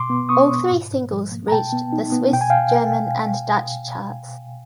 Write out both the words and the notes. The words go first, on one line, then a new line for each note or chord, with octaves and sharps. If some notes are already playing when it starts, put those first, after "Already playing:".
All three singles reached the Swiss German and Dutch charts.
Already playing: B2 C6 D6
B3
B3 C#6 D#6
B2
G#2
G#2
F3
A#3
A#5
B2 G5 A5
B3
D#4
B3
B2 G5
G#5
F5 G5